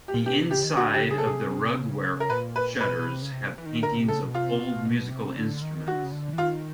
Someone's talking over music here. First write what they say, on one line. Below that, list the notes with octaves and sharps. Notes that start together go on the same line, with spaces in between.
The inside of the 'rugwerk' shutters have paintings of old musical instruments.
G4
A#2
B2 G4
C3
C#3 G4
D#3
D3 F#4
D3 G4
C#3
G#4
A4
B2
C3 G#4
C#3
A#4
A#2 B4
B4
B2 B4
B2
C3
C#3
C3
E3
D#3
D3 A#4
C3
C#3 A4
B2
C3 F4
B2
B2
C3
D3
D#3
D#3 F#4
D3
C#3
D3
E3
D#3 F4